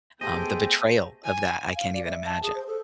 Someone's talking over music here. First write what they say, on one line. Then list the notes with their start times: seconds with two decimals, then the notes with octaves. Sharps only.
um, the betrayal of that, I can't even imagine.
0.21 A3 B3 G4 G#4 C5 D#5 G5 A5
1.24 G#5
1.76 F5
1.94 D5
2.05 E5
2.25 A5
2.43 G#4
2.55 C5
2.67 A4